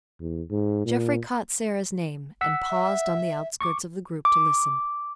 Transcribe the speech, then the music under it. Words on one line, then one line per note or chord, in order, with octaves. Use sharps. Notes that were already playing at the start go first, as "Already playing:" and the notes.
Jeffrey caught Sara's name and paused on the outskirts of the group to listen.
E2
G#2
A#2
F#5 E6 B6
E5
C#6 D6
D6